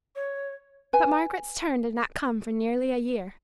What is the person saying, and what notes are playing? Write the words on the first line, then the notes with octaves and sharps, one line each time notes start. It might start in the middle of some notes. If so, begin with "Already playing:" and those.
But Margaret's turn did not come for nearly a year.
C#5
B4 G#5